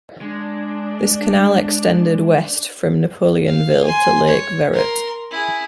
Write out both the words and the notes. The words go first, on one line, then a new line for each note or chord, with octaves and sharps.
This canal extended west from Napoleonville to Lake Verret.
G#3 D4
F5
G#5 C6
C#5
A#4 C6
E4 G#4